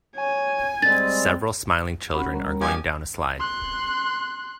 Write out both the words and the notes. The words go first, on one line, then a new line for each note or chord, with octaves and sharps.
Several smiling children are going down a slide.
C#5 G#5
G3 G#3 C4 A6
C#4 F#4 B5
G3 A#4 A#5
F3 G4 D#5 G#5
C6 F#6